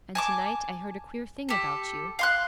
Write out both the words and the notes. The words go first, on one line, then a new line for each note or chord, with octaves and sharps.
'And to-night I heard a queer thing about you.'
G#5 A5 D6
G4 A4
F5 C6 F#6